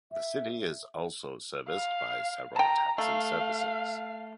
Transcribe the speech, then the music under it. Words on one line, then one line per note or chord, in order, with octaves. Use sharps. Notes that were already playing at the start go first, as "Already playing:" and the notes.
The city is also serviced by several taxi services.
E5
F5
G5 A5 A#5
A3 F5